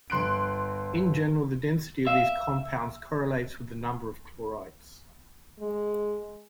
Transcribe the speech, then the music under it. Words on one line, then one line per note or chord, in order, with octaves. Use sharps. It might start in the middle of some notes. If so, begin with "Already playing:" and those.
In general the density of these compounds correlates with the number of chlorides.
G1 C6 F#6 D7
E5 F5
G#3